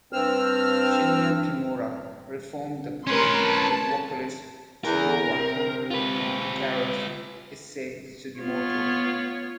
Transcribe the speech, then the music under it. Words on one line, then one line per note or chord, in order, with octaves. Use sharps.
Shinya Kimura re-formed the group with vocalist Jiro Waku and guitarist Issei Sugimoto.
G2 C4 E6 F6
C#4 A#4 B4 C6
A5
E2 A#4
C3
F4 B4
B3 F4 C#5